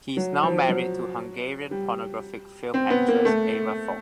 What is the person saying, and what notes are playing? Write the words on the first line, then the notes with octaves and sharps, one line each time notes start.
He is now married to Hungarian pornographic film actress Eva Falk.
F#3
F3
F#3
G3
C4
B3
A#3
A3